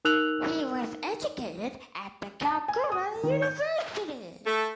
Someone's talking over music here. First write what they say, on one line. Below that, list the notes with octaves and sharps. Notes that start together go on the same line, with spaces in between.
He was educated at the Calcutta University.
D#4 A#4 E6 F#6 F7 F#7
A5
G#5
D#6
D#3
G6
A3